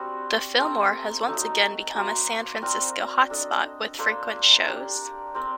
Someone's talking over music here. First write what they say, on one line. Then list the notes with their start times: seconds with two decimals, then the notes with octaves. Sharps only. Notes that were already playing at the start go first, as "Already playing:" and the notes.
The Fillmore has once again become a San Francisco hot spot with frequent shows.
Already playing: G3 C4 D4 F#4
0.58 A3 C4 G4 A#4
1.26 F#3 A3 D#4 A4
1.94 F#3 A#3 F#4 C5
2.62 C4 F#4 A#4 D5
3.30 D4 A4 D#5
3.99 A#3 D4 A4 C5
4.66 D4 G4 A#4 D5
5.34 C4 G4 A#4 D5